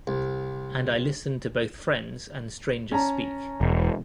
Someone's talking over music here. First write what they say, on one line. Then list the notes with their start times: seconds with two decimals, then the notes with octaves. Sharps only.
And I listen to both friends and strangers speak.
0.07 C2
2.92 C#4 A5 A#5
3.61 E1